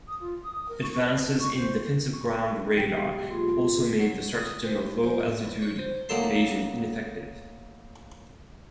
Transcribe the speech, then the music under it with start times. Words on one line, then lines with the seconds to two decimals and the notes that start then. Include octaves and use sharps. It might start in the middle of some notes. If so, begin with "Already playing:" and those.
Advances in defensive ground radar also made the stratagem of low-altitude evasion ineffective.
0.07 D#6
0.20 F4
0.42 D#6
0.69 A#4
0.83 C#6
0.99 D5
1.23 A4
1.39 C#6
1.56 C5
2.13 C#6
2.78 G#2 B2 F#3 G4 G5
3.30 A#3 F4 G#4 C6
3.99 F#3
4.41 D#6
4.65 C5
4.77 D#2
5.04 F3
5.20 A2
5.44 E2
5.62 C#5
5.78 C5
6.09 D2 F#3 A#3 A4 A5 C6